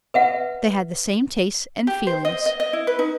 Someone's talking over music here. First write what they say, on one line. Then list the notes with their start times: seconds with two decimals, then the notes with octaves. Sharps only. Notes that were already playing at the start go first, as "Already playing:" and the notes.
They had the same tastes and feelings.
0.14 B4 E5 F#5
1.87 G4
2.07 C5
2.25 D#5
2.46 D#5
2.60 D#5
2.73 E4
2.87 B4
2.99 D#4